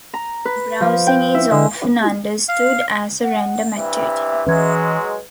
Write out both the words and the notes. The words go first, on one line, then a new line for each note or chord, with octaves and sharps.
Browsing is often understood as a random activity.
A#5
B4
F3
G5
E4
D3
F5
F#5
G2 C3 E3 E5
E3 F#3 G#3 C#4 B4 G#6